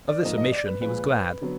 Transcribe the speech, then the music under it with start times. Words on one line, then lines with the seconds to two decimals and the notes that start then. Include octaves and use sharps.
Of this omission he was glad.
0.08 D5
0.23 G#2 F3 A#3 D#5
0.38 D#5
0.52 D5
0.67 B4
0.81 A#2 F3 G#3 B4
1.41 D3 F#3 B3